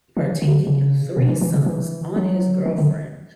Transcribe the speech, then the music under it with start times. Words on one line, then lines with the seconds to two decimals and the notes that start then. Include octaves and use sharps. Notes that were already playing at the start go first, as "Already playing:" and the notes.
partaking in threesomes on his girlfriend,
0.17 E3
0.42 D3
0.67 C#3
1.16 B2
1.29 E3
1.41 E3
1.54 C#3
1.66 E3
2.16 F#3
2.66 E3
2.78 D3